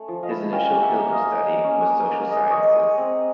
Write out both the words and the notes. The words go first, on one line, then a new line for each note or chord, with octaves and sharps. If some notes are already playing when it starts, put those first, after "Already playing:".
His initial field of study was social sciences.
Already playing: A3 C#4
F3
D#5 F5
E4
C#4 F5 G5
A#3
E5 F#5
A#3
D#5 F5
A#3
A#3
C#4
A#3
A#3
G#3 D#5
D5
G#3 C#5 D#5
G#3
C4